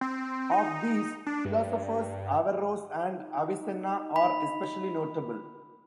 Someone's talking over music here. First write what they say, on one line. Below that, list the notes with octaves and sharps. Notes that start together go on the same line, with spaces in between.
Of these, philosophers Averroes and Avicenna are especially notable.
C4
D#4
D4
G2
D#4
B5